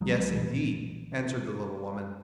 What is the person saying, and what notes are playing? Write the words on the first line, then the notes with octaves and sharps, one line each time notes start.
"Yes, indeed," answered the little woman.
C2 F3 F#3 G#3
B1 A#2 E3